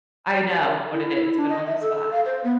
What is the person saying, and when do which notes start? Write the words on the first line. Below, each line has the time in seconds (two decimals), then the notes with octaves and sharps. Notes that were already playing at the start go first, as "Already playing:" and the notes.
I know what it is, but on the spot,
0.62 A#4
0.93 E4
1.22 E4
1.37 D4
1.49 D#5
1.66 E5
1.81 A4
1.95 A4
2.11 F5
2.26 C5
2.44 B3